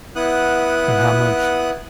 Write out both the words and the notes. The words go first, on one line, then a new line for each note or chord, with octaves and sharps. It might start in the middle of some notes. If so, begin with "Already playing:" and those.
of how much
B3 E4 F#5 D#6 F#6